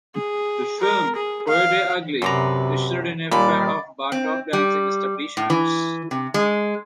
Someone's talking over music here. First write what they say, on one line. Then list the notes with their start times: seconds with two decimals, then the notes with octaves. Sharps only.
The film "Coyote Ugly" ushered in a fad of bartop dancing establishments.
0.14 G#4
0.80 A#4
1.16 G#4
1.48 F5
2.22 F#2 C3 B4 D5 A#5 C6
3.31 D#2 A#2 G3 D5 B5
4.12 C4
4.53 G3
5.37 A2
5.50 E3
6.11 C3
6.34 G#3